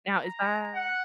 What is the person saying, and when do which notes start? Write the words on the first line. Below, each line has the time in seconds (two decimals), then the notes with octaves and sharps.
Now, is that
0.24 A#5
0.74 F#5